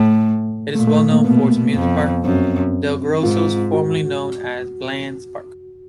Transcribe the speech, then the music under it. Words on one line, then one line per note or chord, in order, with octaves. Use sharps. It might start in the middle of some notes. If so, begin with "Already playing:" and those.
It is well known for its amusement park, DelGrosso's, formerly known as Bland's Park.
Already playing: A2 A3
A#2 A3
A3
A#3
B2 B3
F2
F#2 C4
G#2 F4
F#4